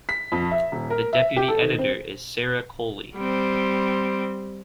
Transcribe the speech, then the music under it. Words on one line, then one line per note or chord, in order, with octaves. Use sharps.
The Deputy Editor is Sarah Coley.
B6
F2
E5
D#1
A#4
E5
G4
A4
D#3
C4
G3 C4